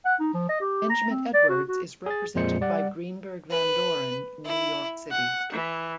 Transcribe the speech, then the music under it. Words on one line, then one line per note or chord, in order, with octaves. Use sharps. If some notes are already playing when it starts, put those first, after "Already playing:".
Benjamin Edwards is represented by Greenberg Van Doren in New York City.
F#5
D#4
F3
D#5
G4
A#5
C4
D5
F#4
F#4
G#4 A6
F2 A#2 G#3 C5 C#7
G3 D5 F#5
B4
E4
F#5
E3